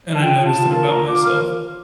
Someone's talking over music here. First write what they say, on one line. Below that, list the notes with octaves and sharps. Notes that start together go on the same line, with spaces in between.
and I noticed that about myself.
A5
F4 G5
F4
A5
F4
A#4 A5
F4 A#5
F4 D6
A#4 F6